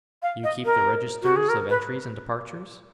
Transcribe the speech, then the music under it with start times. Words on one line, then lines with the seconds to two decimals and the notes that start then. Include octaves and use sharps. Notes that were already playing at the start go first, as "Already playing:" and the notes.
"You keep the registers of entries and departures?"
0.22 F5
0.44 D#5
0.65 A#4
1.23 F#4
1.36 G#4
1.49 A#4
1.69 B4